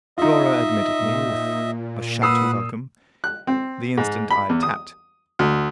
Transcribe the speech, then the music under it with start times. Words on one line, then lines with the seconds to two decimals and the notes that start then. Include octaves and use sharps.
Flora admitted me with a shout of welcome, the instant I tapped.
0.18 D#4 F4 D#5 E5
0.98 A#2
2.22 B4 F#5 D#6 E6 C7
3.24 F#6
3.47 C4
3.97 G#2
4.30 B5
4.49 E2
4.63 D#6
5.39 D2